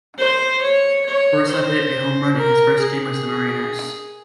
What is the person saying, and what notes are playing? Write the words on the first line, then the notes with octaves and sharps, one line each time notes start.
Broussard hit a home run in his first game with the Mariners.
C5
C#5
C#5
C5
A#4
G#4